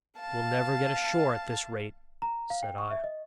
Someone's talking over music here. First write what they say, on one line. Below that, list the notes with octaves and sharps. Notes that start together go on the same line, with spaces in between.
"We'll never get ashore at this rate," said I.
F5 A5
A#5
F5
G5
C#6
E5
D#5